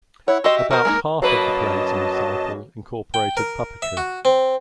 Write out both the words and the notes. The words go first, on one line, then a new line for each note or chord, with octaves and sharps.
About half of the plays in the cycle incorporated puppetry.
E4 C#5 F#5
F#4 G4 D#5 C6 E6
E5
F#4 A#4 C5
G#3 A#3 D#4
F#2 F#3 A#3 B4 D#5 A5
G5
A#4
E5
F#4
C4